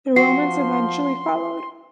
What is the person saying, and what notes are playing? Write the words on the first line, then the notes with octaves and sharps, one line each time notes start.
The Romans eventually followed.
F3 F#4 C6 C7